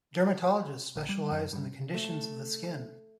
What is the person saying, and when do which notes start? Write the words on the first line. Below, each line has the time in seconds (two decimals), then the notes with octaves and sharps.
Dermatologists specialise in the conditions of the skin.
0.96 A#1
1.09 G3
1.32 F#2
1.53 G2
1.94 A3